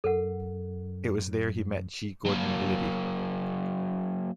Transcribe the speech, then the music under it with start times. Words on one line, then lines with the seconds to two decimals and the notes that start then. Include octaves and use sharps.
It was there he met G. Gordon Liddy.
0.04 F#2 A4 A#4 F#5
2.26 F#3 A#3